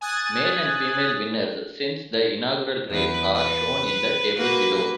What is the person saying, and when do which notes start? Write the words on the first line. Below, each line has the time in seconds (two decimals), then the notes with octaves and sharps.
Male and female winners since the inaugural race are shown in the table below.
0.01 G#5 D#6 F#6 G#6 A6
2.90 E2 B4
3.34 B4
4.36 A#3 F#4 B4